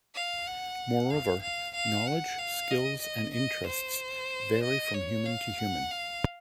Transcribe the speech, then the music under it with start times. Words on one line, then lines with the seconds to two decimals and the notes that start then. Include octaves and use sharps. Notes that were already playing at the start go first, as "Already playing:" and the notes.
Moreover, knowledge, skills and interests vary from human to human.
0.15 F5
0.47 F#5
1.10 F5
1.42 F5
1.75 F5
2.07 F#5
2.39 F5
2.71 D#5
3.02 D#5
3.34 D#5
3.67 C5
4.63 D#5
4.94 C#5
5.26 F5
5.59 F#5
5.91 F5